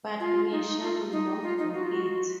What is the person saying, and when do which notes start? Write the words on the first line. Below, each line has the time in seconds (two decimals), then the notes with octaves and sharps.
But Misha will not do it.
0.20 F4
0.51 D#4
0.66 D#4
0.82 F4
1.12 D#4
1.42 F4
1.58 D#4
1.73 F#4
1.83 F4
1.93 F#4